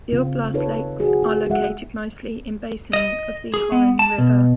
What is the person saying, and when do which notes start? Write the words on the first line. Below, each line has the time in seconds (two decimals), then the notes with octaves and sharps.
The oblast's lakes are located mostly in basin of the Horyn River.
0.12 C#3 C4 F4
0.54 D#4 F4 A4 B4 C#5
1.00 F#4 G#4
1.23 F4
1.50 G#3 E5 F#5
2.93 D#5
3.54 G#4
3.72 B3
3.99 A5
4.18 B2